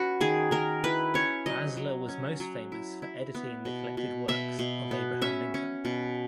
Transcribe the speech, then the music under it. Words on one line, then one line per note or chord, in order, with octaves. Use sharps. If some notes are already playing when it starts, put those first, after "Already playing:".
Basler was most famous for editing the collected works of Abraham Lincoln.
Already playing: C#4 F#4 B4
D#3 G#4
D#3 A#4
E4 B4
C#4 C#5
F#3 D#5
F#3
C#4
F#3
E4
E4
B3
B2
B2
B2 E5
B2
B3
C#4 E5
C#4
B2